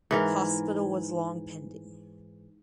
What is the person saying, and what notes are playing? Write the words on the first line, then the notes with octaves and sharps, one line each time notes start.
Hospital was long pending.
G#2 E3 A#4